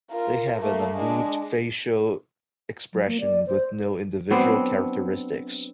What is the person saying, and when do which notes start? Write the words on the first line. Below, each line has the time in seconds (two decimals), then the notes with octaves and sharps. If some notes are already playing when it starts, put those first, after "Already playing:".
They have an unmoved facial expression with no individual characteristics.
0.11 F4 A#4
0.60 A3 A#3
0.96 G#3 D4
2.93 F#3
3.07 A#3
3.20 D5
3.47 C5
4.30 F#3 B3 C4 D4